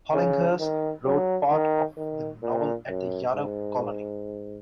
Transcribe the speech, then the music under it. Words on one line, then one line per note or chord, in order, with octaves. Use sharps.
Hollinghurst wrote part of the novel at the Yaddo colony.
C#3
D#3
F#3
D#3
D#3
A#2
F#2
G#2